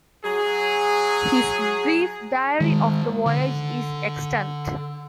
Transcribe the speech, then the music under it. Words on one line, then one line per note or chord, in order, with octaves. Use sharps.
His brief diary of the voyage is extant.
F#3 G#4
D#3 G#3
D3